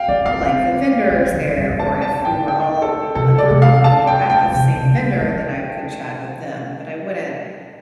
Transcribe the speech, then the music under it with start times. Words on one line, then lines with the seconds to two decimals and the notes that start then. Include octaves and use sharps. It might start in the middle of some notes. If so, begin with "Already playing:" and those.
like the vendors there, or if we were all, a group of people were at the same vendor, then I could chat with them, but I wouldn't
Already playing: F5 G5
0.08 D4 D5
0.26 D4 F5
0.43 C4
1.11 D4
1.33 D3
1.57 G3
1.70 G3
1.79 A3 A5
2.02 A5
2.25 G5
2.31 D3
2.48 G5
2.82 A4
3.15 C3 A4
3.38 D5
3.50 C3
3.62 F5
3.84 A5
4.07 G5
4.30 G5
4.48 D3
4.53 C3
4.75 C3
4.98 G3
5.21 F3